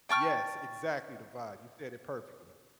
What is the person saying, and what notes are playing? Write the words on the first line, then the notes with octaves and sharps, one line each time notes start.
Yes, exactly the vibe, you said it perfectly.
G5 A5 C#6 F6